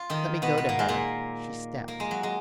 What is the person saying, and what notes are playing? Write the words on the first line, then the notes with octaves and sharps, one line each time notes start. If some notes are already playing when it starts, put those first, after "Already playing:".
"Let me go to her." She stepped.
Already playing: F4
D#3 D#4
B2 B3
B3
A#3
G#3
A#2 A#3
A#3
G#3
F#3
G#3